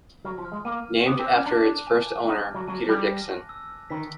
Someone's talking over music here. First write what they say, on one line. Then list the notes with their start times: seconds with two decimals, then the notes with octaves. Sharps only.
Named after its first owner Peter Dixon.
0.25 F#3 F6
0.38 F3
0.45 F6
0.52 G#3
0.65 A#3 D#7
0.86 F6
1.05 B3 D6
1.19 C4
1.26 F#6
1.33 C#4
1.46 D4 A5
1.67 A5
1.87 G#5
2.07 G#5
2.28 D#4 G#5
2.48 F6
2.55 F#3
2.68 F#3 D#7
2.88 G3 A#6
3.09 A#6
3.29 F#6
3.49 E6
3.69 E6
3.90 D#3 B6